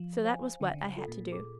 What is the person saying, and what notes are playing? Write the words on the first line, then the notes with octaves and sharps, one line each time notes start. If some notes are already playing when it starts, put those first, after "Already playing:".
So that was what I had to do.
Already playing: F3
C5 F5 G#5
D3 C#4
D3
C#3
F4 A4
A#2
G#4